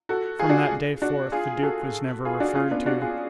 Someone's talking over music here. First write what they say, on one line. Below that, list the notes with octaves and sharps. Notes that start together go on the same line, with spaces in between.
From that day forth the duke was never referred to.
F#4 A4
F4 G#4
D4 F#4
D4 F#4
F4 G#4
F#4 A4
F4 G#4
D4 F#4
C#4 F4
B3 D4
D4 F#4
F4 G#4